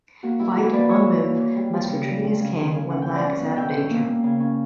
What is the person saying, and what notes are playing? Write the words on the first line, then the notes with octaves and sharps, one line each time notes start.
White, on move, must retreat his king, when Black is out of danger.
A#3 F#4
G3 E4
E3 F#4
A#3 B4 D5
E3 C#5 E5
E3
A#3
E3
G3
G3
C#3
G3
G3
C#3
C#3
C#3
C#4 F#5
G5
C#4
D5 F#5
C#4
B2
C#4 E5 G5
C#4
A#3
A#3
C#3
C#4